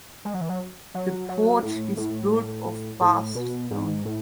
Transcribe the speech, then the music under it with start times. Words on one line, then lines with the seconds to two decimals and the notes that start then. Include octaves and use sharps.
The porch is built of Bath stone.
0.25 G#3
0.34 F#3
0.41 E3
0.49 F#3
0.94 F#3
1.29 F#3
1.63 A2
1.97 A2
3.01 A2
3.35 B2
3.71 G#2
4.05 A2